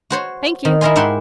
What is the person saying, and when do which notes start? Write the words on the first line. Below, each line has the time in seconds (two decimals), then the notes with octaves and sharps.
Thank you.
0.10 F#4 C5 C#5
0.65 D#3
0.81 E4 A#4 D#5 F5 G#5 C6
0.96 G#2 E4 G4 E5 F#5 C6